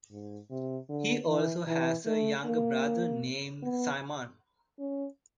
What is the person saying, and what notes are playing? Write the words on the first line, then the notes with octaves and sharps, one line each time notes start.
He also has a younger brother named Simon.
G#2
C3
D3
E3
E3
A3
A#3
B3
C#4